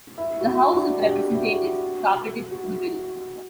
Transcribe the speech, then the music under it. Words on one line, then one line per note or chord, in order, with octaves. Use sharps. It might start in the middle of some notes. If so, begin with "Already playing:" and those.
The House of Representatives carpeted the Bill.
E4
F#4
E4
D4
G4
E4
F#4
F#4
E4